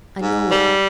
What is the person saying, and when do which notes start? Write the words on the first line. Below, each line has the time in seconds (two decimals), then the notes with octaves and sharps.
I know it.
0.20 G#2
0.51 G3